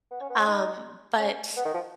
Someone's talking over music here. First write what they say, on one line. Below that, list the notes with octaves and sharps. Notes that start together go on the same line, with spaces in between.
um, but,
B3
C#4
B3
C#4
D#4
C#4
B3
D#3
F3